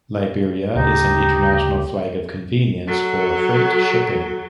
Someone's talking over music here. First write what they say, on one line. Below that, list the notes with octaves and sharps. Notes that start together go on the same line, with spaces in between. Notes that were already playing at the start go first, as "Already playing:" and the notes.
Liberia is an international flag of convenience for freight shipping.
D2 C#3 D#4 G4
F#3 A4